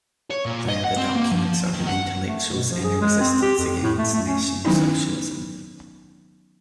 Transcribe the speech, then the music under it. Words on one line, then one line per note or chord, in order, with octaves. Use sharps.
They are the documents of an intellectual's inner resistance against National Socialism.
C#5
A#2
D#5
F#5
C4
A#3
F3
D#3
F#5
A3
B2
F3
G#4
G#3
C4
G4
F2
A2
A3
A3
C#4
D#3 F#3 B3 C#4 D#4 E4